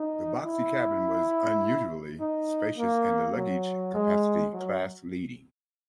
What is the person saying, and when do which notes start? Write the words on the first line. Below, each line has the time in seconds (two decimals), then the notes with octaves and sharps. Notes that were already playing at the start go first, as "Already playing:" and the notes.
The boxy cabin was unusually spacious and the luggage capacity class leading.
Already playing: D#4
0.45 E4
2.20 D#4
2.78 A#3
3.37 F#3
3.94 G#3
4.53 F#3